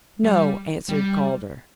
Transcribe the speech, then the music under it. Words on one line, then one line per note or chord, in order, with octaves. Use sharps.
"No," answered Calder.
G3
G3